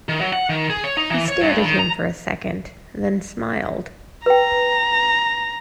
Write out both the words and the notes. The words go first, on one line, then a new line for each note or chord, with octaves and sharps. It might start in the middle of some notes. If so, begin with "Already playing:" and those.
He stared at him for a second, then smiled.
D#3
F#3
F#5
D#3
G#4
C#5
D#4
E3
C#5
G2
D#3
A#5
B4 G5 A#5